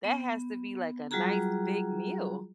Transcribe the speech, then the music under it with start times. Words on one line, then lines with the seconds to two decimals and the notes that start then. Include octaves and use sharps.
that has to be, like, a nice big meal.
0.04 B3
1.11 F#3 G3 F4 F#4 G#4 A#5